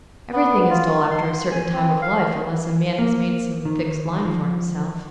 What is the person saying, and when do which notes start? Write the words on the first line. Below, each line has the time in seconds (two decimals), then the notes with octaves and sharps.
Everything is dull after a certain time of life unless a man has made some fixed line for himself.
0.33 B3
0.70 F4
1.11 C6
1.52 G#5
1.73 C4
2.02 F5
2.99 A#3
3.65 D#3
4.25 F3